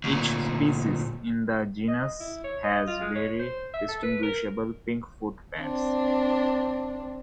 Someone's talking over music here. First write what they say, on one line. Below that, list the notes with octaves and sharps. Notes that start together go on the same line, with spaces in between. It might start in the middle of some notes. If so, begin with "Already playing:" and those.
Each species in the genus has very distinguishable pink foot pads.
D2 A#2
D#5
E4
C#5
D#5
F4
G#3
C#5
C5
E5
A4
B4
A#4
C4 D4